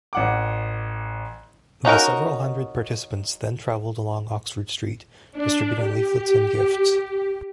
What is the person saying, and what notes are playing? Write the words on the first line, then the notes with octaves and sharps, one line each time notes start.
The several hundred participants then travelled along Oxford Street, distributing leaflets and gifts.
A1 F#5 D6
C#4 D#4 F#4 A#4
D4
G4